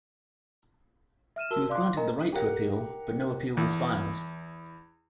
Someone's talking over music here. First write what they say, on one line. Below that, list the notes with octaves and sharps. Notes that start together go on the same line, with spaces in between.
He was granted the right to appeal, but no appeal was filed.
E5 F6 D#7 E7
F#4 A#4 A5 E6 G7
D5 F5 C6 D6 F#6
A#4 D#5 G#5 A#5
G4 A#4 F#5
E2